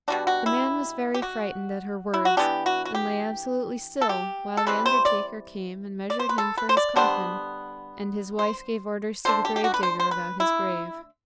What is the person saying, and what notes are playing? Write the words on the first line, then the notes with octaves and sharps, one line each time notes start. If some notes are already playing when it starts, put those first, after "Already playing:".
The man was very frightened at her words, and lay absolutely still while the undertaker came and measured him for his coffin; and his wife gave orders to the gravedigger about his grave.
B2 G3 D4 F#4
F#4
E4
G4
F#4
E4
F#4
E3 B3 D4 G4
F#4
F#4
G4
A4
G4
A4
E3 G3 C4 B4
C5
D5
D5
C5
B4
A4
B4
C5
D5
D3 G3 B3 D4 C5
C5
D3 A3 D4 C5
G4
G4
F#4
B4
C5
C5
B4
E4